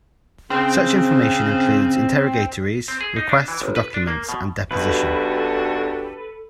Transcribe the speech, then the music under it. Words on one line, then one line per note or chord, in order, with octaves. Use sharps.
Such information includes interrogatories, requests for documents and deposition.
C#3 C4
C4
G#4
D#4
D4
E3
G1
B4
D4
A#3
B2
B1 D4 F#4 G4 A4 B4